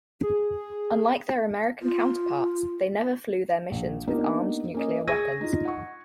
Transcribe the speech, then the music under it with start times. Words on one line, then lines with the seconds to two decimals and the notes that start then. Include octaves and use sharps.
Unlike their American counterparts they never flew their missions with armed nuclear weapons.
0.23 G#4
1.82 F4
3.71 A#1
4.07 A#3 B3 D4 D#4 G4 A#4
4.74 A#3 C#4 D#5
5.08 G#4 C#6 G#6 A#6 D#7
5.41 D#4 F4
5.65 F#5 C#6